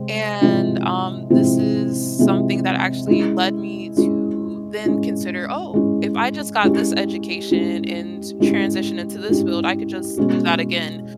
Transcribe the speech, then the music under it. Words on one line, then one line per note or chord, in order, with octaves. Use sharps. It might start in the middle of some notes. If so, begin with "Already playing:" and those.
and, um, this is something that actually led me to then consider, "Oh, if I just got this education, and transition into this field, I could just do that again."
Already playing: C3 G#3 C4
C3 F3 G#3 C4 E4
C3 F3 G#3 C4 E4
C3 F3 G#3 C4 E4
G#3 C#4 E4
G#3 C#4 E4
G#3 C#4 E4
G#3 C#4 E4
G#3 C#4 E4 G4
G#3 C#4 E4 G4
G#3 C#4 E4 G4
G#3 C#4 E4 G4
B2 G#3 C#4 F#4